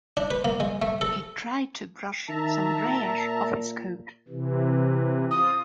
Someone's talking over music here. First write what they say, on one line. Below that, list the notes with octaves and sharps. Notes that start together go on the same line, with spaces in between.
He tried to brush some grey ash off his coat.
D4
B4
A#3
G#3
A3
A4
D#3 E5 A5 A#5
A#2
C3 E3
C4 F4 D#6